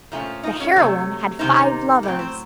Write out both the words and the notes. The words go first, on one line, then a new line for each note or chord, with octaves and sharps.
The heroine had five lovers.
A#2 F3 A3 C#4 F4
D#4 D#5
C#4 C#5
C3 D#3 F#3 A3
C3 D#3 A#3 D#4 C5
A2 F#3 C4
C4 C5